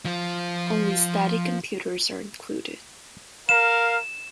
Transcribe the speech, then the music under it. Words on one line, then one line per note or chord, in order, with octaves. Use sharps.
Only static computers are included.
F3 F4
A#4 F5 E7